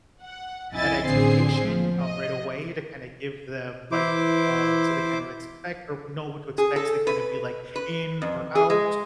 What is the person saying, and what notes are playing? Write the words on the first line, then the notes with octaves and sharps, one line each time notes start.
that expectation, um, right away to kinda give them, like, uh so they kind of expect or know what to expect, so they kinda be, like, in or out,
F#5
C2 F2 E4 D#5 G#5 A6
A1 D3 C4 G#4 C5 C7
F3
D#5
E3 E4 C5 D6
G#4
A4
B4
B4
F2
G#4
G#3